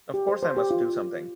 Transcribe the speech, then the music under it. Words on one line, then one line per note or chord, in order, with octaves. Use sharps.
Of course I must do something.
G4
C5
C5
G4
F4